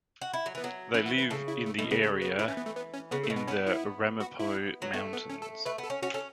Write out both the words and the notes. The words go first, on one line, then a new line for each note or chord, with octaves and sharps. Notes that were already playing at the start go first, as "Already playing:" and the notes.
They live in the area in the Ramapo Mountains.
F#4
E4
F#3
E3 B3
F#3
E3 C#4
F#4
B4
C#3 A4
E4
A3
B2 A3
C#3 B3
A3
B3
E3 E4
C#4
B3
A3
B3
C#4
C#3 B3
A3
B2
B3
B3 C#4
E4
F#4
E4
F#3
A3 B3
B3
C#4
A4
A3 B4
B3
A4
C#4
C#4 F#4
C#4 A4